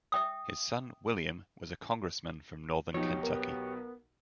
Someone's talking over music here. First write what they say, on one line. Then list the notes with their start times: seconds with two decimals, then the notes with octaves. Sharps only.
His son William was a congressman from Northern Kentucky.
0.12 E5 G5 D#6
2.94 B1 B2 F3 D#4 G4 C#5
3.23 B3 A#4